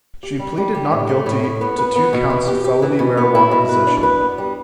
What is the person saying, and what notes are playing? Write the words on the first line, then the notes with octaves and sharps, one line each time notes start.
She pleaded not guilty to two counts of felony marijuana possession.
G4
G3
G3
G4
A2
A3
A2
A2
B3
B4
B3
B2
E3
G4
G4
E3
B2
B3
E4
B2
B4
D4
B4
B3
G3